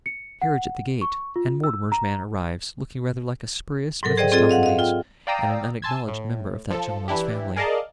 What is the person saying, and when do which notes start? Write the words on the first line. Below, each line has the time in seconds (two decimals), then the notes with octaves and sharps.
A carriage at the gate, and Mortimer's man arrives, looking rather like a spurious Mephistopheles and an unacknowledged member of that gentleman's family.
0.06 C#7
0.42 F#5
1.01 C#6
1.36 F4
1.64 E6
1.92 A#5
4.03 G#2 F#3 A4 A#4
4.17 G#4 C5 D5 D#5 G5
4.32 C4 F4 G#4 A4 D#5
4.49 D#5 F5 F#5
4.63 D#5 F5
4.79 F4 G5
5.27 D5 F5 G5 A#5 D#6 E6
5.82 G#5 A5 C6 E6 G#6
6.08 A2
6.70 F3 A4
7.08 E3 D4 E4 G4
7.56 G#4 A#4 D5 D#5 F5 A5